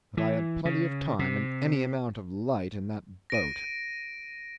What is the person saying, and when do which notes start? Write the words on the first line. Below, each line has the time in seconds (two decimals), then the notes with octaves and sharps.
But I had plenty of time and any amount of light in that boat.
0.17 E3
0.65 C#3
1.19 C3
3.30 A#6 D7 D#7